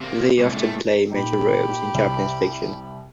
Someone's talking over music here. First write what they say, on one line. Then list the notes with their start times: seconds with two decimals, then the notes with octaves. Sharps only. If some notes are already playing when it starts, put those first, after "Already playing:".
They often play major roles in Japanese fiction.
0.01 C3 A#3
0.39 C2 A#2 G#3
0.57 A3
1.12 A#2 D#4 G4 B5
1.94 C2